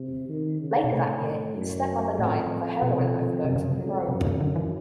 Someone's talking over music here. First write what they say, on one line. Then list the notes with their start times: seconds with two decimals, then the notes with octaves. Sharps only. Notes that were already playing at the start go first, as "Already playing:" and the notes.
Later that year, his stepmother died of a heroin overdose in Rome.
Already playing: C3
0.29 D#3
0.61 C#3
0.84 B2
0.92 A2 C3
1.55 F#2
2.19 F2 A2
2.82 B2
2.94 C3
3.06 B2
3.45 F#2 C3
3.56 C#3
3.68 C3
3.77 F2
4.08 F#2 C3
4.25 C#3
4.41 F#2 D3
4.56 E3